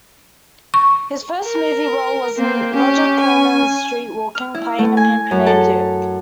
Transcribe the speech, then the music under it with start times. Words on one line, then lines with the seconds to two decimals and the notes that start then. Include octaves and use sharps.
His first movie role was in Roger Corman's "Streetwalkin"' playing a pimp named Duke.
0.74 C#6
1.44 A#4
2.38 A#3 C4
2.75 C#4 G4
3.20 G#5
4.35 F6
4.55 E4
4.79 A3
4.97 G#5
5.31 F#2
5.46 A4